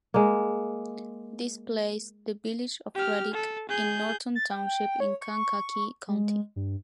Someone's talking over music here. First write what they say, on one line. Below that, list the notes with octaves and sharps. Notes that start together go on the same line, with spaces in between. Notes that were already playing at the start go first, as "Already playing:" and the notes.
This placed the Village of Reddick in Norton Township in Kankakee County.
G#3 A#3
G4 F6
A4
G#4 G6
A6
G5
G5
C#5
C#6
G#3
G2